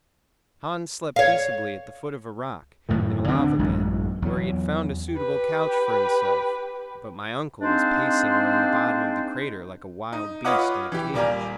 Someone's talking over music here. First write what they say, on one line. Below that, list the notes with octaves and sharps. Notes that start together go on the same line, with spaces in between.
Hans slept peaceably at the foot of a rock, in a lava bed, where he had found a suitable couch for himself; but my uncle was pacing around the bottom of the crater like a wild beast in a cage.
C#5 F5
F#2 A2 D#3 E3
D2 D3 C4 D4
A1 F#2 E3 G#3
E2 F#3
G4 B4
G#3 A#3 C4 D4 D#4 C5
D#4
F4 B4 C#5 D#5 F#5 D6
E3 G4
D#1 G3 A#3 D5 G#5 A#5